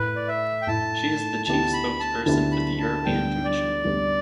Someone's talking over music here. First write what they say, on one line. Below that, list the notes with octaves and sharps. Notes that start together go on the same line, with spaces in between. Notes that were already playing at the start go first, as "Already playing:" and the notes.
She is the chief spokesperson for the European Commission.
Already playing: A2 A3 E4 B4
D5
E5
G5
A2 A3 E4 A5
D2 D3 B3 E4 G4 A5
B5
A5
D2 D3 B3 E4 G4 A5
B5
A5
D2 D3 G3 B3 D4 G5
D5
D2 D3 G3 B3 D4